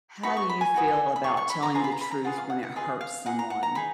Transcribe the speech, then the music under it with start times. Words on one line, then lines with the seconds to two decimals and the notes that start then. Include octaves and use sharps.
How do you feel about telling the truth when it hurts someone?
0.23 D#4 F#4 B4 D#5 B5
0.37 C#6
0.49 B5
0.61 G#5
0.74 D#4 F#4 B4 D#5
1.16 B5
1.24 F4 G#4 B4 C#6
1.37 C#6
1.50 B5
1.63 A#5
1.74 F4 G#4 B4 A#5
1.84 B5
1.92 A#5
2.01 B5
2.11 A#5
2.25 F4 G#4 B4 F#5
2.38 F5
2.50 F#5
2.63 F#5
2.76 F4 G#4 B4 D#5
3.01 F5
3.26 D#4 G#4 B4 F#5
3.39 A#5
3.50 F#5
3.63 A#5
3.75 D#4 G#4 B4 B5